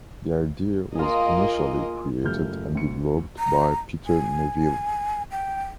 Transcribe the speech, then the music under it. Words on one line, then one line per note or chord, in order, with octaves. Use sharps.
The idea was initially created and developed by Peter Neville.
A#3 F4 G#4 D#5
F#1 F3 G3 A3 F6 G6
D2 C#7
A#5
G#5
G5